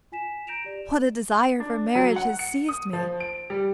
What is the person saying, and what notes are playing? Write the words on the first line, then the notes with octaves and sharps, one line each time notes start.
What a desire for marriage has seized me!
F4 G#5 B6 E7
A#5 G6 A#6 D7 E7 F7
G4 D5
D4
F#3
F#5
C#7
D#6
F3
D7
G3